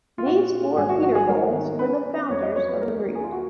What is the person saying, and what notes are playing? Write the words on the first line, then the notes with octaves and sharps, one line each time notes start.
These four Peterbalds were the founders of the breed.
F4
A#2 F#4
F4
G#1 G#4
F#4
F3 F#4
G#4
G#1 A#4
D#3
C#4 B4
C#4
F2 C#5
D#5
F#3 C#5
B4
D#2 A#4
A#4
D#2
G#4
F4
F#4